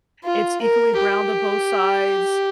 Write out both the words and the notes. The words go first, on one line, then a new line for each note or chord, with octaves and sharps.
it's equally browned on both sides
F4
A#4
G4